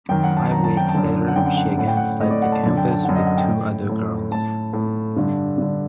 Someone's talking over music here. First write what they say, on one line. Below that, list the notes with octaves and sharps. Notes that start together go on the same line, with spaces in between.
Five weeks later, she again fled the campus with two other girls.
F#2 D#3 G5
F#5
A5
F#2 D#3 A#5
A5
G5
A5
F#2 D3
F#5
F#2 D3 G5
F#5
F#5
A2 F#5
G5
F#5
A2 D#5
D5
F#5
A5
F#2 D3 A5
G5
A5
F#2 D3 F#5
D#5
F#5
G5
A2
A2
A2 A5
A2
G2 D3
G2 D3